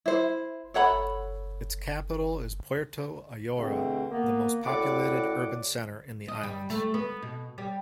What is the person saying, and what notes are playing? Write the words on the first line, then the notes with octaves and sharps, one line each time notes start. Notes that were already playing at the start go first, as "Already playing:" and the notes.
Its capital is Puerto Ayora, the most populated urban centre in the islands.
E4 C5
A4 C#5 F#5 B5
E2 G2 B2 D3 A3 C4
A#3 B3
F#2 A2 E4 D5 F#5 D6
D#5
G3
A3
B3
B2
G3